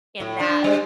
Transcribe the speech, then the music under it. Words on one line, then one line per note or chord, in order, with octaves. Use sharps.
and that
A2
D4
G3 G#3 C5